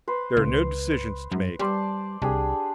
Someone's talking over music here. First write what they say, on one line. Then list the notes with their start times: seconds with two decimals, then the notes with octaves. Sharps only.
There are no decisions to make.
0.08 B4 C5
0.37 C#2
1.32 F#2
1.59 G3 C5 D5 A5
2.22 C2 D4 G4 G#4